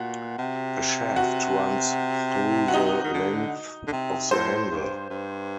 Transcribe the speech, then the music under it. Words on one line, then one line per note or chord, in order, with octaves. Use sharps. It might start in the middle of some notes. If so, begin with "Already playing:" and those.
A shaft runs through the length of the handle.
Already playing: A#2 F#4
C3
F#4
F#4
C3 D#4
D#3
D3
D3
C3
A2 C5
G2
G2